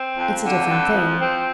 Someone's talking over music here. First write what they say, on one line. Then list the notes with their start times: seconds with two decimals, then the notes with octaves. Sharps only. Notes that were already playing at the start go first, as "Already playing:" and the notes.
It's a different thing.
Already playing: C4
0.18 F2
0.44 D3
0.69 F2
0.95 F3
1.21 C4